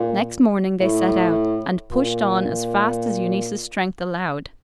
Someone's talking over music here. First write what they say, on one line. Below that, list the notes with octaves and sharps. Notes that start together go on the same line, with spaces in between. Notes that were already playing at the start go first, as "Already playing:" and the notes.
Next morning, they set out and pushed on as fast as Eunice's strength allowed.
Already playing: A#2
A2
A#2